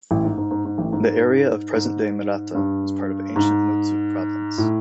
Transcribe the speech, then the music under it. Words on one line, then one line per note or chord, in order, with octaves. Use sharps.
The area of present-day Murata was part of ancient Mutsu Province.
A1 A2
G#2
G#2
G#2
G#2
A1 A2
G#2
G#2
G2
G#2
A2